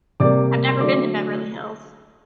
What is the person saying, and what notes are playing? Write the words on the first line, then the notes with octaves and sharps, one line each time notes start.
I've never been to Beverly Hills.
C3 G3 A#3 D5 D6
C6
D3 F#3 A3 D5 D6